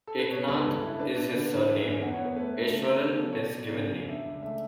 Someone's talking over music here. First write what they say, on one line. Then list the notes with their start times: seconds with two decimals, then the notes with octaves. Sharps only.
"Eknath" is his surname, "Easwaran" his given name.
0.07 A4
0.19 B4
0.31 B2 C#5
0.48 C#2 B4
0.65 G2 A4
0.82 E4
0.99 D4 B4
1.17 D4
1.33 D3 B4
1.52 D3
1.69 E3 B4
1.85 F#2
2.03 E2 F#5
2.14 C#5
2.20 B3
2.25 B4
2.36 A3 B4
2.54 A3
2.71 C#3
2.89 C#3
3.06 B3
3.17 A4
3.23 F#3 B4
3.33 C#5
3.40 B2 D5
3.58 B2
3.74 C#3
3.91 C#3
4.08 D4 E5
4.26 C#2
4.42 A3 E5